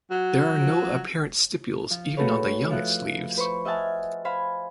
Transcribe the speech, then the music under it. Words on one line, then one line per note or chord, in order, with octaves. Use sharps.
There are no apparent stipules even on the youngest leaves.
F#3 F#4
F3
F3
A3 F#4 G#4 A4 B4 C#5
F3 E4 F#6
B4 C5 C#6
D#5 E5 F#5 G#5 A5 F6
C5 F5 G#5 B5